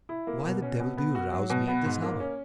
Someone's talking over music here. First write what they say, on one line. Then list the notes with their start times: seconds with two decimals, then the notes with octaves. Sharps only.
"Why the devil do you rouse me at this hour?"
0.09 E4
0.27 A#3
0.45 B2
0.62 C#4
0.80 B2
0.97 B3
1.15 F#4
1.32 F#3
1.50 B2
1.68 B3
1.85 G#2
2.02 A#3
2.20 C#4